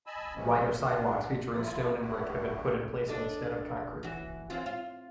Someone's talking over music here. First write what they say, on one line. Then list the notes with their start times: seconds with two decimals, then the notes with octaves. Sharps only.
Wider sidewalks featuring stone and brick have been put in place instead of concrete.
0.06 D#5 G#5 A5 B5 E6
0.36 E3 F3 G#3 A#3 B3 C#4
0.91 A#2 D4
1.53 F3 E4 F4
2.01 B3 D4 E4 F#4 G4
3.08 D4 A4 D#5
4.03 E3 F#4
4.50 E3 C4 F4
4.66 F4